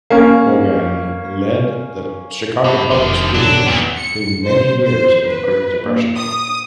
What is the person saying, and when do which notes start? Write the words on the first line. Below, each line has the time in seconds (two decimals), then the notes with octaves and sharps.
Bogan lead the Chicago Public Schools through many years of the Great Depression.
0.10 A#3 C#4
2.64 G2
2.91 F1 D3 D#3
3.35 E2 G#2 B2 F#3 D4
3.67 A#2 D#3 F#3 B3
3.98 C#7
4.45 C5
4.85 C5
5.27 B4
5.83 A#2
6.16 D#6